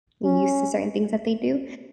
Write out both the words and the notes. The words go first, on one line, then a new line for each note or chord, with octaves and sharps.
used to certain things that they do,
C#4